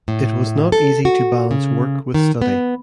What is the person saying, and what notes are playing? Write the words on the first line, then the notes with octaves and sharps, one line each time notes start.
It was not easy to balance work with study.
A2
A4
F#4
C#3
D#3
B3